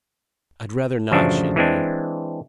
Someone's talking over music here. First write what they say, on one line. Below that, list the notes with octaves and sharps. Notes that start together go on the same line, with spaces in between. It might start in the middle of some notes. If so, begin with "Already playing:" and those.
"I'd rather not," she admitted.
A1 F#2 C#3 F3 D4 E5
E3 G#3 C4 D4